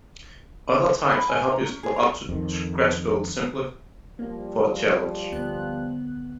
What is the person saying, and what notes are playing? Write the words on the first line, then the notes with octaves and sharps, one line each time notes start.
Other times a hobbyist will opt to scratchbuild simply for the challenge.
B5
G#5
A#5
C#4
G#4
A#5
F2 D#3
F3 G3 A#3
D2 B3 F#6